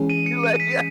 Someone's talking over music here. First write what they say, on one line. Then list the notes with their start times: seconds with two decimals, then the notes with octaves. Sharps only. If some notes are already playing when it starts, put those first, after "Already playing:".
you, like yeah.
Already playing: E3 G#3 C#4 G#4
0.10 D#7
0.26 C#7
0.43 D#7
0.60 B6